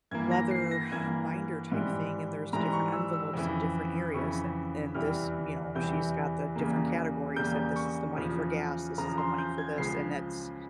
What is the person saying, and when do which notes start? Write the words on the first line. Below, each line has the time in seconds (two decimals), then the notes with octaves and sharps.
leather binder type thing, and there's different envelopes in different areas. And and this you know, she's got the different categories that this is the money for gas, this is the money for this, and that's
0.11 G2 E3 A#3 G#6
0.31 A#6
0.51 C7
0.71 A#6
0.91 G2 E3 A#3 G#6
1.72 G#2 E3 G3
2.53 G#2 E3 G3 A#5
2.73 C#6
2.93 E6
3.13 E6
3.33 F2 C#3 E3
4.14 F2 C#3 E3 C#6
4.95 E2 C3 E3 G3 F6
5.75 E2 C3 E3 G3 G6
6.55 E2 C#3 G3 A#3
7.36 E2 C#3 G3 A#3 G6
7.76 C#6
8.17 E2 C#3 F3
8.98 E2 C#3 F3 A#5
9.18 C6
9.38 G6
9.58 G#6
9.78 C#2 C#3 F3 G#3 C7